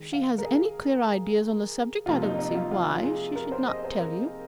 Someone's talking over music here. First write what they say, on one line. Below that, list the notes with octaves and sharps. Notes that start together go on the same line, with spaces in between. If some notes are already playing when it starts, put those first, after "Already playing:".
If she has any clear ideas on the subject I don't see why she should not tell you.
Already playing: D#3 G#3
F5
A#4
G#4
C3 F3 A#3 F4
D#4
D#4
F4
F4
F4
G#4
A#4
C5
D#5
C5
A#4